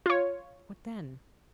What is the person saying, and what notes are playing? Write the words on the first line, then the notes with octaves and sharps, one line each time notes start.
"What then?"
F4 C#5